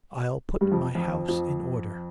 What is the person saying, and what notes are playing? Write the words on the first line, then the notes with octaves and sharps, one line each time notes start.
I'll put my house in order.'
G2 G3
F2 F3
F2 F3
F2 F3